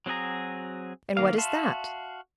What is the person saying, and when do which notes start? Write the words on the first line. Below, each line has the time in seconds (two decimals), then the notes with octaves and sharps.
"And what is that?"
0.06 F#3 C4 F#4 G#4 A#5
1.17 D#3 A#3 F5
1.38 F#4 E5 F5 A5 C6